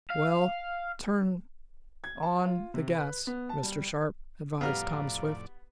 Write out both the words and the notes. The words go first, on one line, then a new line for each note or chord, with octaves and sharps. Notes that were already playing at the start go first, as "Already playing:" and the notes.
"Well, turn on the gas, Mr. Sharp," advised Tom Swift.
F5
G#6
A5
F4
C3
B4
B3
A5
G3
F2 A2 G3 B3 D5 F5 A#5 F6